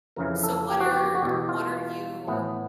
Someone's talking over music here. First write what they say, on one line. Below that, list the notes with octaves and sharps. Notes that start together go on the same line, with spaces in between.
So, what are what are you
F2 C#3 E3 A#4
A4
G4
F#4
G4
F#4
E2 B2 G4
F4
A2 E3 B3